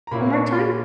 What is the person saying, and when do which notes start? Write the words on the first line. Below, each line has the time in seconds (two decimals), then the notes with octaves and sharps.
One more time?
0.07 A#5
0.11 A#2 A#3 C#4 E4 B5
0.33 C#6
0.55 B5